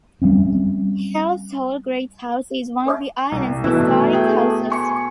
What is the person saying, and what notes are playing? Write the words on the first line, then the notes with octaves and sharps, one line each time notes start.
Halse Hall Great House is one of the island's historic houses.
G3 A#3 C4 C#4
C2
B2 E3 A3 E4
G#4 G5
G#5 C#6 C#7